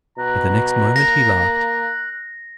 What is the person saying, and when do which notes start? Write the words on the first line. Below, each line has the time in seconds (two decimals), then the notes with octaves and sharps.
But the next moment he laughed.
0.18 B2 A#5 F#6
0.96 A#3 A#6